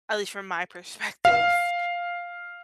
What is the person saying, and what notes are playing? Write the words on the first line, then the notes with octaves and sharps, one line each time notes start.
at least from my perspective.
F5